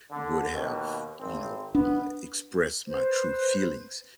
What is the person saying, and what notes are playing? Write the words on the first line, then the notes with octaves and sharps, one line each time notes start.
would have, you know, uh, expressed my true feelings,
D3
D#2 B2
G#1 C4
B3 D4
B4 C5